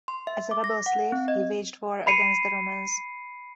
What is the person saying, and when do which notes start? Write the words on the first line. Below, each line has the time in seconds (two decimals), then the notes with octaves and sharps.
As a rebel slave he waged war against the Romans.
0.08 C6
0.27 E5
0.51 D6
0.64 A#6
0.86 F#5
1.12 C4
1.28 D#5
2.07 B5 C7 C#7 D#7